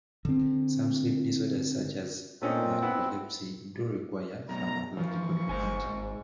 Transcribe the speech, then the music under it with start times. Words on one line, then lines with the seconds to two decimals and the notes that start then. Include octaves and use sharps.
Some sleep disorders such as narcolepsy do require pharmacological treatment.
0.25 D3 C4
2.42 A#2 A3 C4 C#4 D#4
2.82 B3 E4 F#5
4.49 F#2 B2 A#5
4.97 E3 F3 A#3 C#6
5.49 G1 G#2 C5 G#5
5.84 G#1